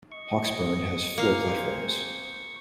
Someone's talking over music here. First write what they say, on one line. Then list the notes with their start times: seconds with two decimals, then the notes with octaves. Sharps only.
Hawksburn has four platforms.
0.12 D#5 C#6
1.18 A#3 C4 G#4 C5 F5